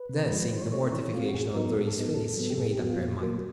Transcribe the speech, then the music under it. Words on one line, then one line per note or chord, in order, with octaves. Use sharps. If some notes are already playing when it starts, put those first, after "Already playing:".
Then seeing the mortification on Dorry's face, she made up her mind.
Already playing: B4
C3
F3 G#3
E3 C5
C#5
A3 C4 C#5
E3 C#5
C#5
A3 C4 F4
F#4
A2 G#4
F#3 B3 D#4 A#4
A#4
A4
A2 G#4
A4
F#3 B3 D#4
A2
F#3 B3
G4
A2 G#4
G4
F#3 B3 F#4
F4
A#2
F#3 A#3